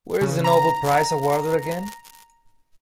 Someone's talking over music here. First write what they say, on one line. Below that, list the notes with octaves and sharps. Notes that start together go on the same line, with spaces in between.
Where is the Nobel Prize awarded again?
C#3
A#5